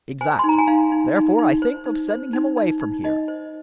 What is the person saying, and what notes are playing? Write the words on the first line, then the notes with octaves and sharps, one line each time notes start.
"Exactly; therefore I think of sending him away from here."
C5 G#5
D#4 C6
A#5
G#5
D#4 F5
D#4
D#4
D#4
C5
D#4
C5
D#4
D#4
D#4
D#4 D#5
C5